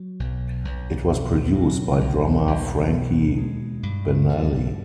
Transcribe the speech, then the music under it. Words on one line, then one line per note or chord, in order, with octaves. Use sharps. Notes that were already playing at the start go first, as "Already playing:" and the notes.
It was produced by drummer Frankie Banali.
Already playing: F#3
B1
B1
B2
F#3
B1
B1
B2
G#3
G2
G2